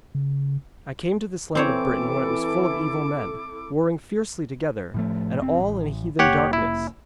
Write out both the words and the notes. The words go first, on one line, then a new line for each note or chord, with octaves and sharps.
I came to this land of Britain when it was full of evil men, warring fiercely together, and all in heathen darkness.
C#3
E3 C4 E4 A4 C5 C#5 D6
A2 F3 A3
F1 C3 C4
A1
F1 A#3 G4 C#5 F#5
E4